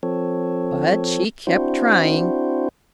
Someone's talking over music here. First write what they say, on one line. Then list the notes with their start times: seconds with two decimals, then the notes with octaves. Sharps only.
But she kept trying.
0.03 F3 C4 A4 C#5
1.47 C4 D4 E4 F#4 C5